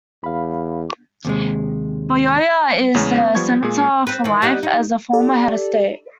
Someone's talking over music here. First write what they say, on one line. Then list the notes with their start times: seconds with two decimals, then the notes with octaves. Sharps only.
Buyoya is a Senator for life as a former head of state.
0.24 E2 F5 B5
1.25 D#2 C3 G#3
2.95 E2 C#3 G#3 C#4
3.18 B3
3.35 F3 G3 B3 C#6 G#6
3.63 A#2 G#3 G#4
4.07 C4 B4
4.24 D#3 E3
4.42 G3 B3 D#4
4.63 D#4
5.13 G4 A4 D5